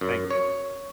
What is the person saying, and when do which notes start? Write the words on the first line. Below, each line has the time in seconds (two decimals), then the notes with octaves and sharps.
Thank you.
0.01 F#2
0.30 C#5